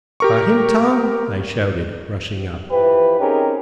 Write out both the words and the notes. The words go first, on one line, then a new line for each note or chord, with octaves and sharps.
"Got him, Tom?" I shouted, rushing up.
G4 A#4 C#6
E3 F3 G4 B4
C4 C#4 D#4 G4 G#4 A#4